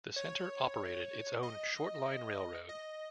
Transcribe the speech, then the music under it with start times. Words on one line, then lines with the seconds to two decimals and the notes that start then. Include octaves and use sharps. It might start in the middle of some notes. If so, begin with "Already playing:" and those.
The center operated its own short-line railroad.
0.16 C#5
1.43 D#5
2.69 D#5